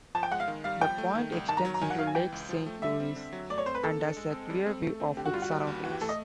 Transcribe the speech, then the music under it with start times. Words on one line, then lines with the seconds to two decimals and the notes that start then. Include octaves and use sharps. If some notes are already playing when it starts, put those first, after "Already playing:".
The point extends into Lake Saint-Louis and has a clear view of its surroundings.
0.15 F3 A5
0.23 G5
0.31 G#3 F#5
0.40 F5
0.48 D#3
0.64 G3 F5
0.81 F3 G5
0.98 A3
1.15 D#3
1.32 C2
1.49 D#3 A5
1.57 A#5
1.65 F#3
1.74 A#5
1.81 D#3 G#5
1.90 F#5
1.99 F#3 F5
2.07 G#5
2.15 E3 G5
2.32 C#2
2.49 F3
2.66 A3
2.82 G3 E5
3.00 C4
3.16 D3
3.33 F#3
3.50 A3 D5
3.58 C#5
3.66 C4 C5
3.75 B4
3.83 A#3 A4
4.00 D4
4.17 G#3
4.33 C4
4.50 G3
4.66 C4
4.83 A3
5.00 C4
5.17 D3 G4
5.26 F#4
5.33 G3 F4
5.42 F#4
5.51 G3
5.67 D#2
5.83 E3 F#4
5.92 G4
6.01 A3 A4
6.09 D#5